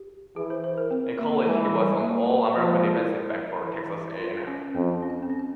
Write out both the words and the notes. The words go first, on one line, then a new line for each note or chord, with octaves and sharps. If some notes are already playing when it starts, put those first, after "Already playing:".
In college, he was an All-American defensive back for Texas A and M.
Already playing: G4
E3 G#4
C5
C5
A#4
C4
A#3
E3 G#3
G#3
G3
G#3
A#3
F3 A#3
G#3
G#3
E4
E3
F4
C#4
F2 C4
C#4
C4
C#4